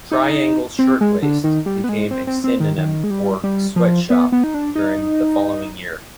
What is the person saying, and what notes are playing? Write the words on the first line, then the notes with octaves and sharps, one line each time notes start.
Triangle Shirtwaist became a synonym for "sweatshop" during the following year.
D#4
C4
G#3
D3
D#3
G3
B3
G#3
C4
C4
C4
D#3
D#3
G#3
G3
G3
F3
B3
B3
D#4
D4
D#4